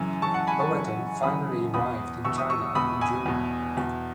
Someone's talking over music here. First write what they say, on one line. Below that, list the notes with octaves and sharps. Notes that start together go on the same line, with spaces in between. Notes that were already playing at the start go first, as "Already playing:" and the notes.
Boateng finally arrived in China in June.
Already playing: F#2 C#3 E3 G#5
F#2 C#3 E3 A5 C#6
F#5 A5
G#5 B5
A5 C#6
F#2 C#3 E3
F#2 C#3 E3 B5 D#6
E2 B2 B5 D#6
E2 B2 C#6 E6
D#6
C#6 E6
E2 B2 B5 D#6
G#5 B5
E2 B2
E2 B2